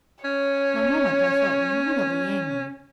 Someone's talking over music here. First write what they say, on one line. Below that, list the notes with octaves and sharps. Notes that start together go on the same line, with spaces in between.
For a moment I felt really angry.
C#4 C#5